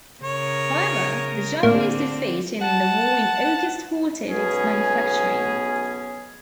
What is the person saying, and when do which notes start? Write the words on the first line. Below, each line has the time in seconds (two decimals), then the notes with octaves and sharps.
However, the Japanese defeat in the war in August halted its manufacturing.
0.23 C#3 A#4 C#5
1.63 A2 D3 A#3 C4 D4
2.61 F#5 A5
4.29 B1 B2 B3 C#4 G#4 G#5